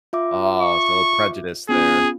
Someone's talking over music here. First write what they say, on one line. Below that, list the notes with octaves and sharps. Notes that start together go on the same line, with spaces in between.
Oh, it's a little prejudice there.
F4 E5 D6
C#6
B3 C#4 F4 G#4